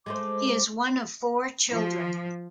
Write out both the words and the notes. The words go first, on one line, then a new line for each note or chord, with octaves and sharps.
He is one of four children.
G#3 A3 C5 D6
F3